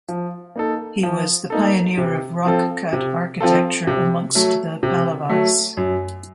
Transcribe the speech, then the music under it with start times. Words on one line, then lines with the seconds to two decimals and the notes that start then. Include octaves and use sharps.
He was the pioneer of Rock-cut Architecture amongst the Pallavas.
0.09 F3
0.56 A#3 D#4 A4
1.03 F3
1.50 A#3 D#4 A4
1.98 C3
2.45 F3 C4 F4 A4
2.93 C3
3.40 F3 C4 F4 A4
3.87 C3
4.35 F#3 A3
4.83 C3
5.29 F#3 A3
5.77 F#2